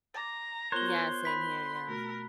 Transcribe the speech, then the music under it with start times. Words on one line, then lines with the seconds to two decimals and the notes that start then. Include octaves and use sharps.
Yeah, same here, yeah.
0.15 A#5 D6 A6
0.72 B3 F4 A#4 C5 C#5 F#6 G7
1.25 B5 C6 B6
1.88 B2 A3 F#4 A#4